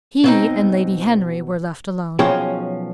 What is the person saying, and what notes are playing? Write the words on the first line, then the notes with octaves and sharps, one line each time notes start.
He and Lady Henry were left alone.
B2 C4 D#4
B1 F3 C#4 F#4 G#4 G5